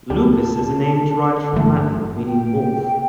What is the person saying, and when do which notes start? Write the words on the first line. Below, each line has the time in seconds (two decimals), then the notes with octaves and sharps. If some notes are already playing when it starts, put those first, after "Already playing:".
Lupus is a name derived from Latin meaning "wolf".
0.10 D2 D3 G3 B3 G4 A5
1.53 G1 G2 E3 A3
2.24 G5